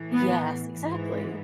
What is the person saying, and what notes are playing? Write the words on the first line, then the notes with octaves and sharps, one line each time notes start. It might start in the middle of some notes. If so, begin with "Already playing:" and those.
Yes, exactly.
Already playing: A2 E3
B3
E3
G#2